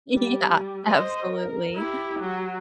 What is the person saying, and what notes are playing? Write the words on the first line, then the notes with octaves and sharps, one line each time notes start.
Yeah. Absolutely.
G3
C5 D#5
A#4
E4 G4
F#3